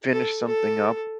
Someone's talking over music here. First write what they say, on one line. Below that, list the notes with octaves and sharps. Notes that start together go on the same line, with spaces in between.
finish something up
A4
A4